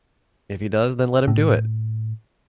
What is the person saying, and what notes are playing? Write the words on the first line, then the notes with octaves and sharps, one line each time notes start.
If he does then let him do it!
A2